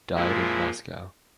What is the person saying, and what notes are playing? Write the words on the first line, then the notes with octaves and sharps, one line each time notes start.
Died in Moscow.
A#2 F3 G#3 E4